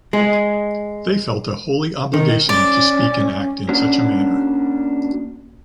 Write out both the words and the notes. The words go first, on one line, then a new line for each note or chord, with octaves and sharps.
They felt a holy obligation to speak and act in such a manner.
G#3
D#3
C#4 D5
A#3 C#4 D4 F#4